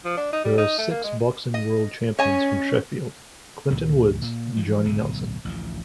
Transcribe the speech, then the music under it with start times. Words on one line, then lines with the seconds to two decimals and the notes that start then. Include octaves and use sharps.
There are six boxing world champions from Sheffield, Clinton Woods and Johnny Nelson.
0.05 F3
0.17 D4
0.33 D#4
0.44 G3
0.58 D#4
0.78 A3
0.90 A#3
1.04 G#3
1.54 D#5
2.19 C#4 C#5 D#5 G#5
3.70 C#2 A#2 E3
4.22 A#2 A#3
4.57 E3 F3 G3
4.85 D1 B1 C#3
5.45 A1 D2 F3